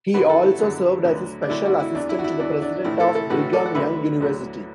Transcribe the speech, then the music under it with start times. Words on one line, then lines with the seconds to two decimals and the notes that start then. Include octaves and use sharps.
He also served as a special assistant to the president of Brigham Young University.
0.14 F#2 D3 F#3 F#4 B4
0.29 E4 A4
0.44 E4
0.59 F#2 D3 F#3
1.05 D2 D3 F#3
1.43 D4
1.49 D2 D3 F#3 E4
1.65 D4 F#4
1.80 E4
1.95 E2 E3 D4
2.09 E4
2.19 F#4
2.24 E4
2.39 E2 E3 D4
2.62 D4
2.84 A1 A2 E3 E4
3.00 E4 A4
3.15 E4 A4
3.30 A1 A2 E3 F#4 B4
3.52 A4 D5
3.66 F#5
3.75 D2 D3 F#3 B4 E5
4.20 D2 D3 F#3